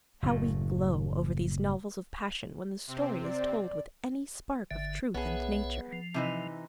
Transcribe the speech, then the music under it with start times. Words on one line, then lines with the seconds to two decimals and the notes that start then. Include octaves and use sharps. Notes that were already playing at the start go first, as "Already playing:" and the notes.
How we glow over these novels of passion, when the story is told with any spark of truth and nature!
0.23 F#1 A2
2.87 C3 C4
3.24 D5
4.71 G1 D3 E5
5.14 B1 B3 G#4 C#5 E5
5.93 F3
6.14 C3 E3 D#4